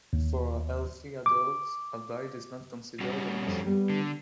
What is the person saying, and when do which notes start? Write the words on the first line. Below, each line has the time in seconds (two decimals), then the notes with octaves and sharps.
For a healthy adult, a bite is not considered an issue.
0.13 D#2
1.26 D6
3.00 G3 C#4 F#4
3.47 F2
3.66 G3 B3
3.90 D3